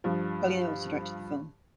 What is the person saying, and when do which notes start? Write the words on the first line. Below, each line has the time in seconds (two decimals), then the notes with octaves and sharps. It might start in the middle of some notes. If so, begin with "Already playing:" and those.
Carlino also directed the film.
0.04 G2 F3